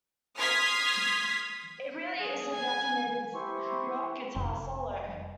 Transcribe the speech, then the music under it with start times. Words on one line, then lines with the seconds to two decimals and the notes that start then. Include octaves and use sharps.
It really is the definitive rock guitar solo.
0.38 C6 D#6 F6 G#6 B6
2.21 G#4
2.54 G#5
3.34 E4 G4 C5 C#6
4.36 F1